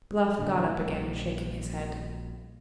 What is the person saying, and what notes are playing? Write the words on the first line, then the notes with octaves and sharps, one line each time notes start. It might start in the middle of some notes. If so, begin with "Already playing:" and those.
Bluff got up again, shaking his head.
F1 A2 D3
A#1 G3